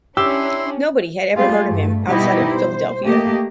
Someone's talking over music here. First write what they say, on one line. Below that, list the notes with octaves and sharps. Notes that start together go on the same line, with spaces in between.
Nobody had ever heard of him outside of Philadelphia.
C#4 D4 E4 G4 C6 E6
G3 A3 F4 G4 G#4
G2 A3
B2 G3 D#4 E4 G4 D#5
C5
A3 A#3 G4 D#5